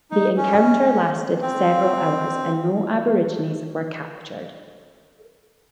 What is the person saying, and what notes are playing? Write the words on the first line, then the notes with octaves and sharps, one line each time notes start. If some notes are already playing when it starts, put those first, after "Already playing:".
The encounter lasted several hours, and no Aborigines were captured.
D#4
C#4
C4